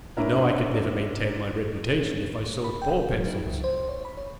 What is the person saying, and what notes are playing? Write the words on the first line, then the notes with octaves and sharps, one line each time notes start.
You know I could never maintain my reputation if I sold poor pencils.
C#4 D4 E4 A#4
B5
G5
G5
F#3
D#4
C#2
C5
C#5
B5
C#5